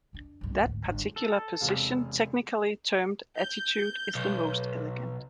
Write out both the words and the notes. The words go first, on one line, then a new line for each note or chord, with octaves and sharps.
That particular position technically termed attitude is the most elegant.
F2 D4
B1 G2
G#1 D2
G1
A4
E1 C3 F5
G6
B1